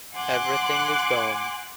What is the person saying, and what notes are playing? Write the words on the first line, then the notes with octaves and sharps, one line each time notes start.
Everything is gone.
F#5 G#5 C6 D6 F#6